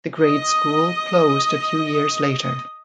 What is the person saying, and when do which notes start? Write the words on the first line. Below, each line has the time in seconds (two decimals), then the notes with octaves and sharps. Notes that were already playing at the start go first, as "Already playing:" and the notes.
The grade school closed a few years later.
0.20 D#5 D#6